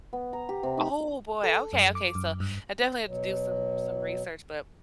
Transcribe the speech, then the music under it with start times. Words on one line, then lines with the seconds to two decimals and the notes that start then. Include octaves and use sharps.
Oh, boy, okay, okay, so I definitely have to do some some research, but
0.13 B3
0.33 A#5
0.49 G4
0.63 C3
0.77 D#4
1.44 A4
1.73 F#2
1.95 D6
2.15 F#2
2.40 G2
3.05 B2 F#3